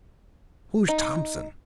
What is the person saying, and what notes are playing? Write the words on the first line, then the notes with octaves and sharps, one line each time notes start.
"Who's Thompson?"
D#4